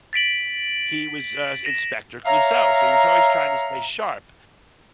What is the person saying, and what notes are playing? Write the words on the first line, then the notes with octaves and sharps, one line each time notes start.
he was, uh, Inspector Clouseau, so he was always trying to stay sharp,
A6 B6 D7 F#7
A#6 E7
C#5 E5 F5 A#5